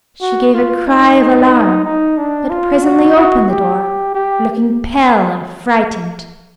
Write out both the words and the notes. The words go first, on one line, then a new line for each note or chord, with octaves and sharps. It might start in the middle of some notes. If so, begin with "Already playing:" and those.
She gave a cry of alarm, but presently opened the door, looking pale and frightened.
F#4
F4
D#4
D#4
D4
F4
F#4
F#4
G4
G4